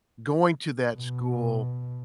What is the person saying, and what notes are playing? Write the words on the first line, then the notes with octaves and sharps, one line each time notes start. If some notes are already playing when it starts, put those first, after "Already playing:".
going to that school,
B2